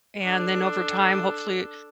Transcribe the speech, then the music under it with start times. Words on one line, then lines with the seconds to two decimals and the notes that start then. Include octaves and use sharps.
and then over time, hopefully,
0.23 D4 A4